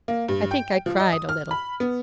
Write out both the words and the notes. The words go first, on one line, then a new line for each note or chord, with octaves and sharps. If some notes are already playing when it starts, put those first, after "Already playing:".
I think I cried a little.
A#3
G2
G5
F3
D#5
D#6
F6
B5
B3